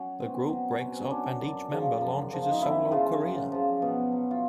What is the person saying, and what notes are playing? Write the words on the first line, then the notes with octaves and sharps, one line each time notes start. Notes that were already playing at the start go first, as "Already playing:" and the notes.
The group breaks up and each member launches a solo career.
Already playing: F#3 C#4
B2 C4
F#3
B2 C#4
C4
C#4
F#3 D4
F#2
C#3 F3
F#2
C#3 F3
D#4
F#2 E4
C#3 F3 F4
F#2
C#3 F3
B2
F#3
F4